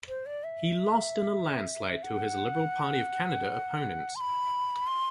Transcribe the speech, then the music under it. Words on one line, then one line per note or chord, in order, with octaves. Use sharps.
He lost in a landslide to his Liberal Party of Canada opponent.
C5
D5
E5
F#5
C6
B5
C6